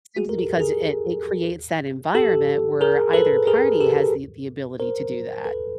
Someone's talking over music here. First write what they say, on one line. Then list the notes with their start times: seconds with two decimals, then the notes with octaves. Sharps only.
Simply because it it creates that environment where either party has the the ability to do that,
0.16 F#4 G#4
0.29 A#4
0.38 G4 A4
0.60 G#4 A#4
2.15 G4 A4
2.81 G#4 A#4
3.13 A4 B4
3.47 G#4 A#4
3.80 G4 A4
4.80 A#4 C5
5.45 A4 B4